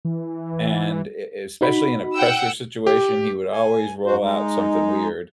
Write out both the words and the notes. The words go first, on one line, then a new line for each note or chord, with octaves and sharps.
And e especially in a pressure situation, he would always roll out something weird,
E3
D#4 F#4 B5
F#5 G5 E6
G4
G#5
F#2 F#4 C5
G#3 D#4